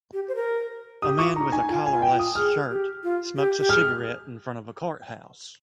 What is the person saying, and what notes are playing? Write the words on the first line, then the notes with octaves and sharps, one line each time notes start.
A man with a collarless shirt smokes a cigarette in front of a courthouse.
G4
C5
A#4
G4 D#6
F4 C#6
D#4 A#5
D#4 G#5
F4 G#5
F4 G#5
G5
F4
D#6
G#4 F6
G4
F4
G4
G4
G#4 F6